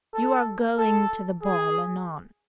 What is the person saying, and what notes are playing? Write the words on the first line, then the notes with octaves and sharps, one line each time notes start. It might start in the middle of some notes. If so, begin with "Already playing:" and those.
You are going to the ball anon. . . .
A4
A4
G#4